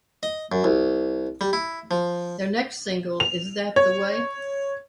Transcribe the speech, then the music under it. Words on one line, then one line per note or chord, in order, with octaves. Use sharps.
Their next single, Is That the Way?
D#5
F#2
C2
G3
E4
F3
F7
C#5